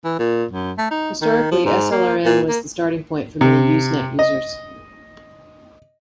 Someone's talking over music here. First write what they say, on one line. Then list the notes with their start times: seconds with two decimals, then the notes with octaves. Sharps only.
Historically slrn was the starting point for many Usenet users.
0.04 E3
0.19 A#2
0.51 F#2
0.78 A3
0.91 D#4
1.22 D#3
1.51 F3
1.65 G#2
1.91 A#3
2.25 A#2
2.49 A#3
3.41 C3
4.19 D#5